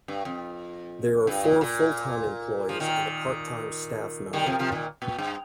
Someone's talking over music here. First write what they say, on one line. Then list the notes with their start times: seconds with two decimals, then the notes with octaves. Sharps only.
There are four full-time employees and a part-time staff member.
0.08 G2
0.25 F2
1.27 G2
1.44 A#2
1.61 A#2
2.69 F3
2.80 A#2 D#3
4.33 D#3 G3
4.46 C3 F3
4.59 C3 F3
4.72 A#2 D#3
5.02 A#2
5.18 G2